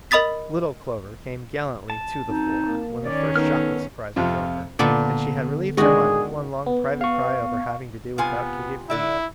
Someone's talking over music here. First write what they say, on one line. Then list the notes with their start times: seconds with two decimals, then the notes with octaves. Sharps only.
"Little Clover" came gallantly "to the fore" when the first shock of surprise was over, and she had relieved her mind with one long private cry over having to do without Katy for a year.
0.11 A#4 D#5 B5 D#6 A6 B6
1.90 A5
2.27 F#2 C4 D#4
2.68 A#3
3.05 D#3 C#4 D5
3.36 B3 D#4 A4 A#4 F6
4.16 F2 C3 F4
4.79 A#2 D3 B3 D4
5.77 D#3 G#3 D4 F#4 G#4 D#5
6.66 B3
7.01 F5 C#6
8.18 C3 B3 F4 G#5
8.90 D3 E4 D5 E5